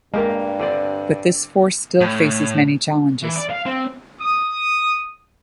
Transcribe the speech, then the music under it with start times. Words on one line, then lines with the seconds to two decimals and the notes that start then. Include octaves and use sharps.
But this force still faces many challenges.
0.14 G2 G#3 A#3 G4 A#4 A#5
0.59 D3 C4 D5
2.01 A2
3.22 E3
3.36 D5
3.50 F5
3.66 C4
4.20 D#6